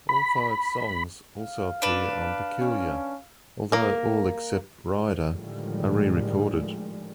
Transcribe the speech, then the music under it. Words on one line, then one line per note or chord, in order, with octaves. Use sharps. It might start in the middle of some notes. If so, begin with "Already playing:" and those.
All five songs also appear on "Peculiar", although all except "Rider" are re-recorded.
B5
F5
D4 B4
C#4
A#3 A#4
A2 D3 D#3 F3 G3 G#3